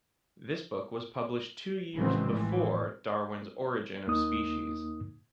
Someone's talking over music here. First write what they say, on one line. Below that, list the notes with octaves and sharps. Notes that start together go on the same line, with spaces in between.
This book was published two years "before" Darwin's "Origin of Species".
A1 C#3 E3 F#3 G#3 C4
A2 E3 F3
D#2 A#3 D#4 D#6